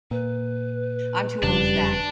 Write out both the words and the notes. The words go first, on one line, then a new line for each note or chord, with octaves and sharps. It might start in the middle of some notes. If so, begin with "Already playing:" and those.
I'm too old for that.
A#2 B4
E1 F2 C#3 G3 D4